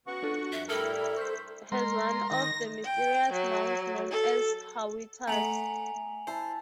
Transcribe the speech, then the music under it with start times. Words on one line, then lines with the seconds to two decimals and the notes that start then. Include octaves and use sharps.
Kudahuvadhoo has one of the mysterious mounds known as "hawittas".
0.07 C#3 B3 F#4 F#5 C#6
0.23 D4 F4 A4
0.52 F2 G3 E5
0.69 A2 G3 E4 A4 A#4 A5 F6 F#7
1.17 C5 C#6 B6
1.72 G#3 A#4 C6
2.31 D#3 A#6
2.84 G5
3.32 F#3
4.11 A4
5.28 A3 B3 G#5 A#5 F7 F#7
6.27 E4 C5 A5